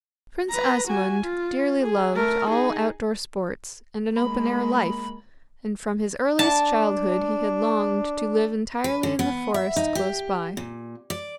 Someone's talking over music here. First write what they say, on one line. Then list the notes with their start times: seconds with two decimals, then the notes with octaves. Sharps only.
Prince Asmund dearly loved all outdoor sports and an open-air life, and from his earliest childhood he had longed to live entirely in the forest close by.
0.50 B4 A#5
0.87 F#4 G#5
1.23 F4
1.81 G#4
2.16 A3 A#4
2.49 D#4 G#4
4.16 G#3 A#3 B5
6.39 D4 A5
8.84 B4
9.03 D3
9.19 B3
9.54 E5
9.76 D#4
9.95 G4
10.57 A#2
11.10 D5